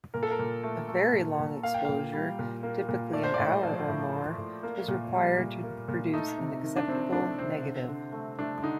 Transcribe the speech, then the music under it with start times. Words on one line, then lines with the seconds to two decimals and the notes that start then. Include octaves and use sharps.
A very long exposure-typically an hour or more-was required to produce an acceptable negative.
0.14 A#2 A#4
0.23 A4
0.31 A#4
0.39 A#2
0.63 A3
0.88 A3
1.13 A#2
1.39 A#2
1.63 A#3 F5
1.74 G5
1.85 A#2 F5
2.13 G3
2.39 A#2
2.63 A#3
2.89 A#2
3.13 A3 D5
3.23 C5
3.34 D5
3.39 A2
3.63 F3
3.88 A2
4.13 A3
4.38 A2
4.63 A#3
4.88 A#2
5.14 G3
5.38 A#2
5.63 A#3
5.88 A#2
6.13 A3 D#4
6.38 C3
6.63 D#3
6.76 D4
6.88 C3 C4
7.13 A3 D4
7.38 C3 C4
7.62 D3
7.88 D3
8.12 A3
8.39 A3 D4
8.63 D3 D#4